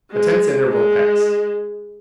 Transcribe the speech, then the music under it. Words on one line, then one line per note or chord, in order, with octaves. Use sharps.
A tense interval passed.
G#3
G#3